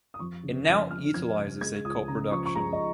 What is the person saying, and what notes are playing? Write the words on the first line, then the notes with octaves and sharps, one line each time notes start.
It now utilizes a co-production.
D#6
F2 C#6
C#3
F2
F6
F2 F6
F2 G#6
C#3
G#3 G#6
C#2 D#6
C#3 A#5
F3 C#6
C#6
G#3 A#5
D#5